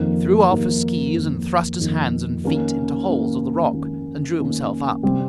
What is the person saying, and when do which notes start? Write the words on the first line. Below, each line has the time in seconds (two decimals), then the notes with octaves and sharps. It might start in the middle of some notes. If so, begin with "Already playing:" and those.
He threw off his skees and thrust his hands and feet into holes of the rock and drew himself up.
Already playing: F2 D#3 A#3
0.50 F2 D#3 A#3
1.15 F2 D#3 A#3
1.79 F2 D#3 A#3
2.44 D#3 A#3 C#4
3.09 D#3 A#3 C#4
3.73 D#3 A#3 C#4
4.38 D#3 A#3 C#4
5.03 C3 G3 C4 G4